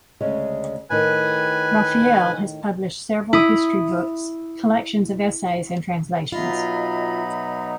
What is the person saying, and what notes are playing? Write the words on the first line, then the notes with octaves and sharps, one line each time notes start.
Raphael has published several history books, collections of essays and translations.
D2 C#3 G#3
A2 D#3 B4 G#5
E4 D#6
B2 F#3 D#4 F4 D#5 E5 B5